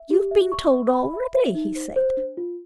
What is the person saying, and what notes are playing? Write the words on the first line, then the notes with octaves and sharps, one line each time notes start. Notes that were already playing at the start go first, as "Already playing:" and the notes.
'You have been told already?' he said.
Already playing: E5
G4
E5
C#6
E5
B5
E5
E5
D#4
C5
C5
D4
F4